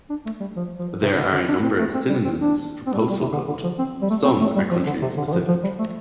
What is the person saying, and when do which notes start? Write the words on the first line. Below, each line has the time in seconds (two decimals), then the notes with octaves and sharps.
There are a number of synonyms for "postal code"; some are country-specific.
0.10 D4
0.25 A3
0.40 G3
0.56 F3
0.79 F3
1.02 C3
1.18 D3
1.33 D3
1.48 D4
1.63 C4
1.79 A3
1.94 C4
2.09 G3
2.24 C4
2.40 D4
2.86 C4
2.93 G3
2.98 A3
3.10 G3
3.21 C3
3.33 D3
3.48 D3
3.63 F3
3.79 C4
4.02 G3
4.10 A3
4.25 C4
4.40 A3
4.56 G3
4.71 F3
4.86 D3
5.02 C3
5.17 D3
5.28 D3
5.32 F3
5.48 F3
5.63 G3
5.79 A3